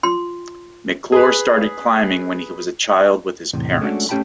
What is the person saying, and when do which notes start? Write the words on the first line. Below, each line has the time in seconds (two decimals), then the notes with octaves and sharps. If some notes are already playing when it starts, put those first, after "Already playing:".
McClure started climbing when he was a child with his parents.
0.03 F4 C6
1.12 G#4 B4
3.53 E2 A2 C3
3.81 G#3 A3 C#4 D4 F#4
4.09 A3 C#4 G4 G5 A5 B5